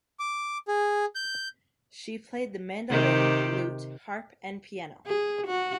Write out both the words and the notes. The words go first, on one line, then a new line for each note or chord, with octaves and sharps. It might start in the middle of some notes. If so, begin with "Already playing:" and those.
She played the mandolin, lute, harp and piano.
D6
G#4
G6
C3 D#3 G4
G#4
F#4